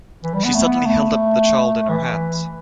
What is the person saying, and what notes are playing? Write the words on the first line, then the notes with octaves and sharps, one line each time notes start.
She suddenly held up the child in her hands.
E3
G3
B3
A3
B3
A3
E3